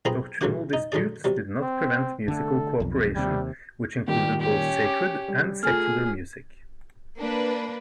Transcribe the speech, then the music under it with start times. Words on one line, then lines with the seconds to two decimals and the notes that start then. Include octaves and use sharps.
Doctrinal disputes did not prevent musical cooperation, which included both sacred and secular music.
0.05 B1 F3 C4 G#4 A#5 B5
0.41 A1 C#3 F#3 F#4 F#5 D6
0.73 D#4
0.92 D3 F#3 D4 G#4 D5
1.24 C3 F#3 G3
1.61 C4
2.28 D3 A3 A4
2.80 B1 F2
3.16 D#2 C3 G3
4.08 A#2 D#3 G3 G4
4.41 C#4 G4
4.82 D6
5.28 G3
5.63 A3 F4 G#4 G#5 F6
7.19 A#3 D4 B4